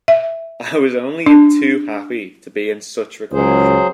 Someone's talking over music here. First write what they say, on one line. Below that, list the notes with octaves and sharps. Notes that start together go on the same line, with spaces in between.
I was only too happy to be in such request.
E5
D4
C#2 F#3 G#4 C5